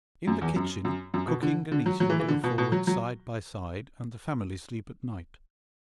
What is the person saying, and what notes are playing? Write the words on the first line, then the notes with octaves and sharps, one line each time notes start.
In the kitchen cooking and eating go forward side by side, and the family sleep at night.
F#2
E2
F#2
F#2
F#2
B2
D3
D3
F#3
F#3
E3
E3
D3
B2
B2
F#3
F#3